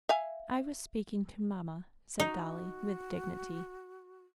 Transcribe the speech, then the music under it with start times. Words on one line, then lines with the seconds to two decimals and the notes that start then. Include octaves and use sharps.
"I was speaking to Mamma," said Dolly, with dignity.
0.09 E5 F5 G#5
2.20 D#4 F#4